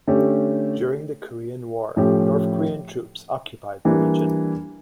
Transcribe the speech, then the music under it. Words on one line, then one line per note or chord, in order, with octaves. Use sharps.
During the Korean War, North Korean troops occupied the region.
D3 A3 C#4 G4
A2 F3 A3 C#4 G4
E3 G3 A#3 D4